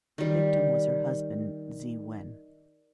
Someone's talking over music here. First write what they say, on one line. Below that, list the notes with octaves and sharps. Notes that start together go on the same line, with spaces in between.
The victim was her husband Zi Wen.
D#3 G3